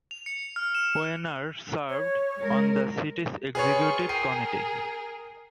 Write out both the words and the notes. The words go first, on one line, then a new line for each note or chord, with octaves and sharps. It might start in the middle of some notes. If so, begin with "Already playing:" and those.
Weiner served on the city's executive committee.
F7
C#7
F6
E7
C#5
G#3 A#4
F4 G#4 B4 C#5 C#6
G#4 A#4 G5 C7 D#7